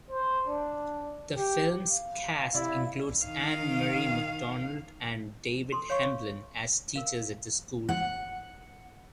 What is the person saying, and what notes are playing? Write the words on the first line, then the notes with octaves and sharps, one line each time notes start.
The film's cast includes Ann-Marie MacDonald and David Hemblen as teachers at the school.
C5
D4
G4
F5
C3 E4 D5
D#3 F5
A4 C6
C#5 F5 C#6
A#4 F5
F#5